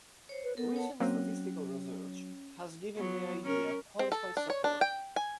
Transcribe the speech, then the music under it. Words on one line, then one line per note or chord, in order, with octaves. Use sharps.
Recent statistical research has given the idea qualified support.
C5 C#5
B4
B3 A4 A#4
C#5 F#5 A5
F#3 A#3 C4 C#4
F#3 B3
C#4 A#4
C4
A4
D4
C#5
D4
G5
G#5